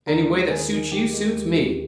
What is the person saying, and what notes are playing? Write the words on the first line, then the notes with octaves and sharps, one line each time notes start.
Any way that suits you suits me.
D#2 A#4
G#3
D#2 G#4
D#3
D#3 G4
G#3
D#2
D#2